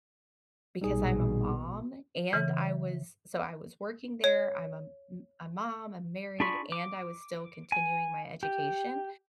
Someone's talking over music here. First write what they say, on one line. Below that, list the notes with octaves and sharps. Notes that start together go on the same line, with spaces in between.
because I'm a mom, and I was so I was working there, I'm a m a mom, I'm married, and I was still continuing my education,
A#1 B2 G3 D#4 G#4
C#3 E3
C#5
D4 F4 G#4 B5 C#6
D6
G#5
G4